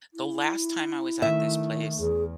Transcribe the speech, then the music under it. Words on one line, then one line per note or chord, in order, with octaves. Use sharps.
the last time I was at this place,
E4
D#3 A3 E5
E2 G#4